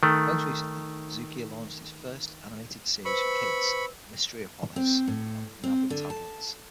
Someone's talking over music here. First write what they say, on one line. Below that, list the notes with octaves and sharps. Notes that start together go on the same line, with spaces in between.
Most recently, Zuiker launched his first animated series for kids "Mysteryopolis" on nabi tablets.
D#3 A3
B4 C5 B5 C#6 E6
C4
A2
C4
D3
A5